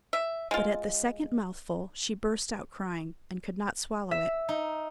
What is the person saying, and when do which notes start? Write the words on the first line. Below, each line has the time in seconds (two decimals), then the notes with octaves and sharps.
But at the second mouthful she burst out crying, and could not swallow it.
0.13 E5
0.51 G#3 F4
4.11 E5
4.49 D#4